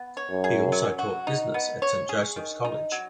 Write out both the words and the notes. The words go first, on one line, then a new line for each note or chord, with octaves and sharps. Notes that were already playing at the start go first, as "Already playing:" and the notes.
He also taught business at Saint Joseph's College.
Already playing: B3
C#5
F#2
G#4
F#3
F#4
D#4
B3
C#5
G#4
D#3
D#4
F#3